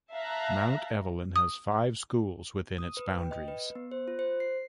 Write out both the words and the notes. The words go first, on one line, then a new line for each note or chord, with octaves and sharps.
Mount Evelyn has five schools within its boundaries.
E5 F5 A5 A#5 F#6
D#6
D#6
B4
G5
D#5
B4
B3
C5
F4
C5
C7